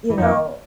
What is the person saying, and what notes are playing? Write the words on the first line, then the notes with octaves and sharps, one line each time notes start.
you know,
E3
F2 F3 A#3 D#4